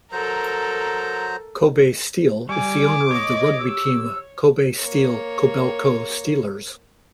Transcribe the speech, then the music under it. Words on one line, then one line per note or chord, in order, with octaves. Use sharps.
Kobe Steel is the owner of the rugby team Kobe Steel Kobelco Steelers.
F#3 A4 A#4 C5 A#5
G3 G#5 D6
C#5 D#5
G4 E6
A#3 C#5